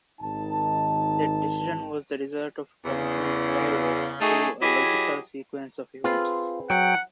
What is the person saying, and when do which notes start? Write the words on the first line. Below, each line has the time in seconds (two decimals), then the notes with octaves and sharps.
That decision was the result of a commitment arrived at through a logical sequence of events.
0.20 G#1 D#3 D#4 A5
2.85 E2 C#3
4.20 A3 D#4 F#4 G#4
4.61 F#3 E4 G4 G#4 D#5
6.04 C4 F4 G#4 B4
6.70 F#3 F#5 G5